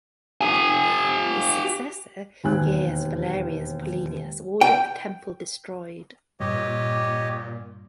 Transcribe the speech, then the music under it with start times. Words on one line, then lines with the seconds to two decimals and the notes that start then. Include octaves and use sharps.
His successor Gaius Valerius Paulinus ordered the temple destroyed.
0.41 G4 G#5
2.44 E1 D#2 G#5 F#6
4.61 G5
6.40 G2 A#2 G4 C#5 D#5